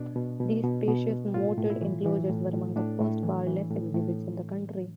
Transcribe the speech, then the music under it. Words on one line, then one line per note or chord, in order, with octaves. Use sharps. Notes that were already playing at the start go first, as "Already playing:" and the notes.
These spacious, moated enclosures were among the first bar-less exhibits in the country.
Already playing: B2 D4
B2
B2
B2
B2
B2
A2 F4
A2
E4
E3
E3
A2
A2
A2 D4
A2
E3
E3
A2
A2